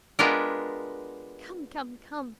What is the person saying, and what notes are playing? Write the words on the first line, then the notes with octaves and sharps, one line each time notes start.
'Come, come, come!
G#3 B3 D4 F4 G4 A#4